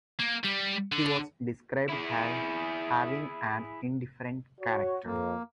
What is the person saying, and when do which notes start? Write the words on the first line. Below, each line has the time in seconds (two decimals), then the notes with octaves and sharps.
He was described as having an indifferent character.
0.19 A#3
0.44 G3
0.92 D3
1.90 E4 G#4
4.61 F#4 C#5
5.06 F2 A#3